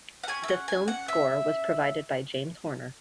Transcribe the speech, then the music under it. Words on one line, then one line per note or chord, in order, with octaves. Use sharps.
The film's score was provided by James Horner.
F#5
C#4 G#4 G#5
E5
F#5
G#5
F#5
E5